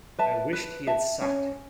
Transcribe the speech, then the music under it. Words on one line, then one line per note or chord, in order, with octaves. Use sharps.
I wished he had socked him.
B4 E5 A5
B4
E5 A5
C#4